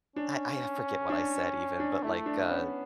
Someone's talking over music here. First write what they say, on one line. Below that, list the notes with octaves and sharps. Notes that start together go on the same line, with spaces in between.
I I forget what I said even, but, like, uh
C#4 D4
D4
D4
A3 E4
D4
B3 C#4